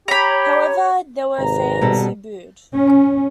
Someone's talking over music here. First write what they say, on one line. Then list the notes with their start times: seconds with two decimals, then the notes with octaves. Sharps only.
However, there were fans who booed.
0.08 G4 C#5 A#5 B5
1.38 G#1 C3 B4 A#5
1.82 B2 G3 A4
2.75 C#4